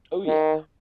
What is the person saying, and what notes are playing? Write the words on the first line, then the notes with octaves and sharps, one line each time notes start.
Oh, yeah,
D#3